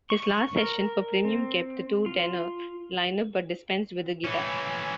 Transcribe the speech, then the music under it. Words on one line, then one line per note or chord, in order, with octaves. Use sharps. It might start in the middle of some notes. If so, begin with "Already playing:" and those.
His last session for Premium kept the two-tenor lineup but dispensed with the guitar.
C#6
A#4
C4
F4
E3 C#4